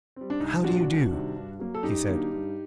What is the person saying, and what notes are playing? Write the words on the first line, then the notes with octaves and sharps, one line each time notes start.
"How do you do?" he said.
G3 C4
D4
C2 D#4
A#2 F#3 D4 F#4
C2
C3 D#3 G3
G2
F#3 A#3
A4
F#2 D#4 G4
D3 F#3 A#3
G2